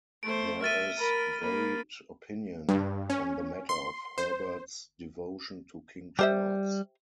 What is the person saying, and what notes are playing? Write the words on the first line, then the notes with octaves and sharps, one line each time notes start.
There is varied opinion on the matter of Herbert's devotion to King Charles.
A3 C5 D7
E5 F6 A6 D#7
A#4 B5
A#3 B5
G2
C#4
C6
C5
G3 G4 C5 E5